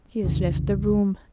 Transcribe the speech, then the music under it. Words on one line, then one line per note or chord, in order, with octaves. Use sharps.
He has left the room.
B1 F2 C#3 E3